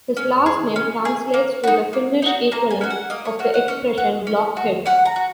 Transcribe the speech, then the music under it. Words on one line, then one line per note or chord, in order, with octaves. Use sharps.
His last name translates to the Finnish equivalent of the expression "blockhead".
C#4
G#4
C#4
G#4
A#3
D#4 F#4
A#3
D#4 F#4
A#3 A#5
G#5
C#4 F#4 G#5
F#5
A#3 D#5
C#5
C#4 F#4 C#5
F#5
C#4 C#5
F#4
C#4
F#4
C#4 F#5
A#5
F#4